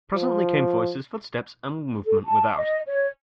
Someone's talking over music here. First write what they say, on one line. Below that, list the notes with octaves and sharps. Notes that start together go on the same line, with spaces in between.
Presently came voices, footsteps and movement without.
F3
A4
A5
D#5
C#5